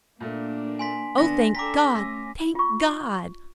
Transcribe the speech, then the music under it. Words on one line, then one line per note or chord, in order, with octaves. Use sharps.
Oh, thank God, thank God!
A#2 A3 A#3 D4
G#5 C6 B6
D3 B3 D4 A#6
D4 A4 G5 A#5 D6 B6
A3 C#4 E6 A#6
F4 C#6